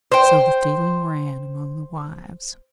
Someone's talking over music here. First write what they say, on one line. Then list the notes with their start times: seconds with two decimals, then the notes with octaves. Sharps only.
So the feeling ran among the wives.
0.12 C5 G5